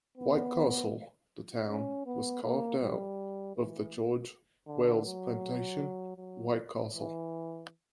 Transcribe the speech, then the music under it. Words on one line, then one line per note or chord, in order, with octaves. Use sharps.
White Castle, the town, was carved out of the George Wailes plantation, "White Castle".
B3
C#4
B3
A#3
G3
E3
D3
F#3
F#3
E3